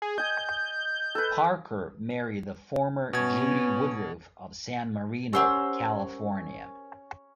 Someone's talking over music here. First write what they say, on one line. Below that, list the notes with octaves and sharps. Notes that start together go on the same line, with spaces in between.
Parker married the former Judy Woodruff of San Marino, California.
G#4
D#5 G#5 G6
A4 B4
B2 B3 C#4 G#6
C#4 G4 A#4 C5 C#5 F#5 E6